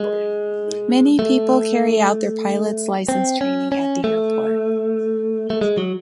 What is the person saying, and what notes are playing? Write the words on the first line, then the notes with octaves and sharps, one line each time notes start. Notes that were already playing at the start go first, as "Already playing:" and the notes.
Many people carry out their pilot's licence training at the airport.
Already playing: G#3
A3
C4
C#4
C#4
A3
A3
G#3
F#3